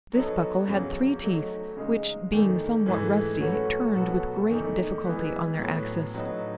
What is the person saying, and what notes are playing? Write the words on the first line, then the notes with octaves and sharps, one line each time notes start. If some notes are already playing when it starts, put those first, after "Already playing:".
This buckle had three teeth, which, being somewhat rusty, turned with great difficulty on their axis.
F#3 B3 D#4 A4
E2 C#3 F#3
F#3 A3 D#4
C#3 G#3 D#4
E2 D#3 A3
G#2 E3 A3
F#3 A3 C#4 F#4 B4
B2 F#3 B3 F#4 A4
E2 D#3 A3 D#4
E3 G#3 B3
A2 F#3 B3
A2 F#3 B3 D#4